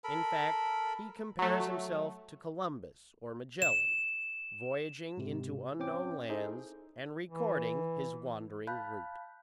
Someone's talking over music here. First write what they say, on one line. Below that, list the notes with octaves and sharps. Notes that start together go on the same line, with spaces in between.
In fact he compares himself to Columbus or Magellan, voyaging into unknown lands, and recording his wandering route.
A4 A#4 B5
F#3 A3
E7
G#2 C3
C4 C#4 G5 D6
D#4 E4 G#4 A4 C5
E3
F5 A5 B5 F#6 G6